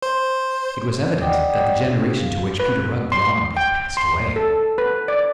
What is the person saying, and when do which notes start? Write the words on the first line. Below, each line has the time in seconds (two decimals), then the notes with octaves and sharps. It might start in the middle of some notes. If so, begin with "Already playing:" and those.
It was evident that the generation to which Peter Rugg belonged had passed away.
0.02 C5
1.21 D5 D#5 F#5 G5 D6 D#6
1.80 D4 F4 G4 G#4
2.19 F5
2.60 B4
3.12 C6
3.57 G5
3.97 C6
4.36 A4
4.78 B4
5.08 D5